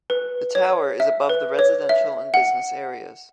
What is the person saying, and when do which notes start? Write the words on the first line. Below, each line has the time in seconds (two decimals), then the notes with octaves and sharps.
The tower is above the residential and business areas.
0.10 B4
0.55 C#5
1.00 E5
1.29 B4
1.59 C#5
1.89 E5
2.34 F#5